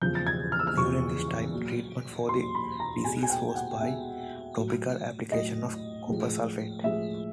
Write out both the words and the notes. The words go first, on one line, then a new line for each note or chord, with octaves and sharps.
During this time treatment for the disease was by topical application of copper sulfate.
E2 C#3 F3 G#3 G6
A6
G#6
F6
E6
F6
E2 C#3 F3 G#3 C#6
A#2 F#3
A#2 F#3 C6
B5
A#5
B2 G#3 G#5
G#5
G5
F#5
B2 G#3 E5
A2 F#3
A2 F#3 D#5
A2 F3 G#3
A2 F3 G#3 E5